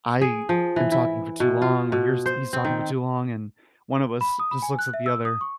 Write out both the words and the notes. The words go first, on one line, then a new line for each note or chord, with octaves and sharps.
I am talking for too long or here's he's talking for too long, and one of us just looks at the other,
G#4
F3
E3
E4
B2
F4
B2
C5
C4
D#3
B5
D#6
B5
G#5
F#6
E5
E6
D#6
C#6